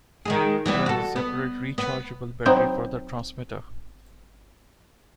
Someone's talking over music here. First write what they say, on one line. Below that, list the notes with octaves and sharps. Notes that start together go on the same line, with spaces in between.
It has a separate, rechargeable battery for the transmitter.
D#3 G#3 G#4
E3 G3 B3
F#4 A4
B3
B3
F#3 B3 C4 D#4